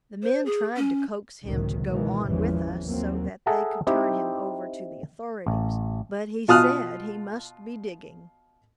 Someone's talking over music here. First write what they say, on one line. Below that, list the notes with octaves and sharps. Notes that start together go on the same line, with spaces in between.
The men tried to coax him to go on with us so that they could turn him over to the authorities, but he said he must be digging.
C5
G#4
C#4
F#1 C#2 A2 C3 D#3 F#3
B2 D#3 E3 G#3
G#1 E2 G#2 C#3 E3 F3
D#2 F#3 A#3 C4
G#4 A4 E5 F#5 A5 A#5
C4 D#4 E4 G4
A1
B2 F4 A5 D#6 F6 F#6